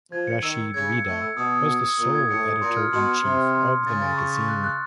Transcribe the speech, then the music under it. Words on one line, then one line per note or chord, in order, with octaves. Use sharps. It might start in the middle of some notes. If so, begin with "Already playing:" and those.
Rashid Rida was the sole editor-in-chief of the magazine.
F3 G#6
C#7
D#3 E6
E6
C#3 G#6
C#7
A2 E6
E6
B2 D#6
D#6
D#6
D#6
A#2 D#6
G#6
A2 C#7
D#6
A#2 C6
F6
B2 C6
F6
C3 C6
F6
C6
C6
C#3 A6
A6
C#6
C#6
F#6
F#6